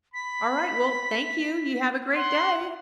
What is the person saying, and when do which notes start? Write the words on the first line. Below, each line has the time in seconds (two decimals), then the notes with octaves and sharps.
Alright, well, thank you. You have a great day.
0.14 B5 B6
2.16 F#5 C6